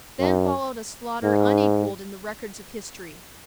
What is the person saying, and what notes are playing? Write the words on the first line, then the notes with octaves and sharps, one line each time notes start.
Then followed a slaughter unequalled in the records of history.
F#2
G#2